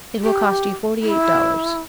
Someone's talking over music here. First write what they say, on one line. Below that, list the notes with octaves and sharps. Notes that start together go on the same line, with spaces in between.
It will cost you forty-eight dollars.
G4
E4